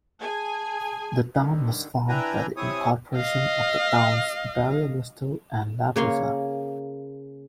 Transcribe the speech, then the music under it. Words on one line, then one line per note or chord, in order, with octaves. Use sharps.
The town was formed by the incorporation of the towns Barriobusto and Labraza.
G#4 G#5 A5
G2 D3 D#3
D4 E4 B4 G5 G#5 A#5
C3 C4 E4 C#5 G#5 D#6
D#5 F5
C#3 A#3 C#5 C6